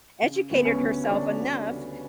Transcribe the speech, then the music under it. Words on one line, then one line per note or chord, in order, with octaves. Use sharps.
educated herself enough
C#3
D2 B3
C#4
D2
C#4
D2 D4
D2
C#3